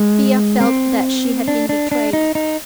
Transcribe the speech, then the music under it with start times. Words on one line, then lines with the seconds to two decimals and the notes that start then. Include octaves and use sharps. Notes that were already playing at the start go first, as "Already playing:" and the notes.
Thea felt that she had been betrayed.
Already playing: G#3
0.60 C4
1.48 D4
1.69 D4
1.92 D4
2.13 D#4
2.35 D#4